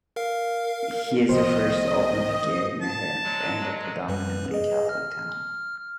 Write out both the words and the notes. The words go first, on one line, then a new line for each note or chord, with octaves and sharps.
He is the first openly gay mayor in the predominantly Catholic town.
A#4 F5
C2 D#3 F3 B3 C5 D#5
A5
F#3 G#3
F#2 G3 B4
G#4 D#5
F6